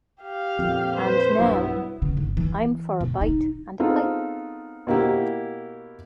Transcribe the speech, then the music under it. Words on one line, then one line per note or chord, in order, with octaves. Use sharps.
And now I'm for a bite and a pipe.
G4 F5
F2 A#2
B4 C5
B1 G2 F#3 B3 E4
C#3
G1
E3
B2
D#4
B3 C4 D#4 F4 G#4 A4
B2 A#3 E4 G4